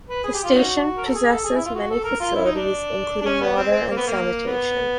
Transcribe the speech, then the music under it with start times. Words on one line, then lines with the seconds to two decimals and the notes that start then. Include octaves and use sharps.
The station possesses many facilities including water and sanitation.
0.09 B4
0.24 G#4
0.34 G4
0.44 F4
0.54 C#4 D#4 F#4
0.97 A#4
1.06 A4
1.15 G#4
1.29 A4
1.45 G#4
1.54 E4
1.65 F4
1.75 F#4
1.90 A4
2.05 A#4
2.20 F4
2.35 E4
2.45 D#4
2.55 D4
3.21 D4
3.25 C#4
3.41 B3
3.56 C4
3.71 C4
3.91 A#3
3.97 B3
4.07 A#3
4.47 B3